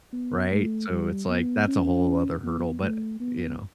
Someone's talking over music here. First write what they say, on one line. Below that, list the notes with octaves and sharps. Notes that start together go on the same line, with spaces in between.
right, so, it's like that's a whole other hurdle, but you know?
B3
A3
G3
B3
C#4
B3
A3
B3